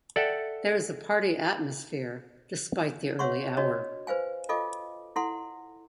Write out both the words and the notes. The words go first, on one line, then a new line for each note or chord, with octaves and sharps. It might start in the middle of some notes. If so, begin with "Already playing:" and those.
There is a party atmosphere, despite the early hour.
A4 D5 E5 F#5 G5
C#5 E5 F#5 C6 C#6
D4 F#4 C#5 D#5
B4 C5 F5 G#5
F4 A4 D#5 F5 G#5 D6
E4 A4 F#5 C6